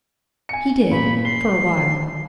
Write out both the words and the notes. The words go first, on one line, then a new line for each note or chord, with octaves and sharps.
He did--for a while.
G#5 C#7
A#2 B5
C7 G7